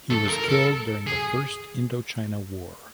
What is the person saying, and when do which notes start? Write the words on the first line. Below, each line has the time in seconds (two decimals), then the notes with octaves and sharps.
He was killed during the First Indochina War.
0.10 A4
0.29 A#4
0.49 A4
1.07 G#4